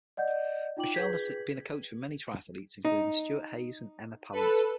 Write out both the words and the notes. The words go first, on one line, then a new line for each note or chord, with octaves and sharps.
Michelle has been a coach for many traithletes including Stuart Hayes and Emma Pallent.
D5 D#5 F#5 G6
D#4 F4 G5 D6 F#7
G#4 B4 G6 G#6 B6
D#4
A4 B4